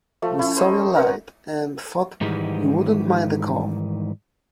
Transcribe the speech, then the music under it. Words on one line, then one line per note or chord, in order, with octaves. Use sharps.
We saw your light, and thought you wouldn't mind a call.
F3 A3
C#4 E4
C5 C#5 D#5
A#4 B4 F#5
G#2 D#3 E3 G3 G#3